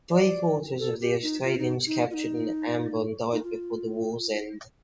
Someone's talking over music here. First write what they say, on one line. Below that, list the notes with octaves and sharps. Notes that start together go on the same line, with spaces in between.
Three-quarters of the Australians captured on Ambon died before the war's end.
D5
A4
G4
D#4
F4
D#4
D#4
F4
D#4
D#4
F4